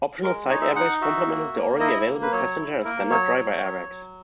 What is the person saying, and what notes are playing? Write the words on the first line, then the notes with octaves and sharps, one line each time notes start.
Optional side airbags complemented the already available passenger and standard driver airbags.
G#3 A#4
D#4 C#5
E5
D#4 F#5
F#4 E5
A#3
A#3
E4 D#5
A#3
B4
F#3 C#5
E4
A#3 A#4
F#3 C#5
F#3
F#3
F#3